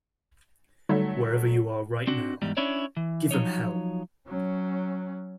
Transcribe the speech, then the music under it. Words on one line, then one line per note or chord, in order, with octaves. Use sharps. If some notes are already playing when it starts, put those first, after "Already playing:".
Wherever you are right now, give 'em hell.
D3 F#3 G3 A3 D#4
C4 D4 F#4
E2 G#2 G3
C#4 D4 E4 C#5 D5
E3
F3 F#3 D#4 C#5
F#3 C#4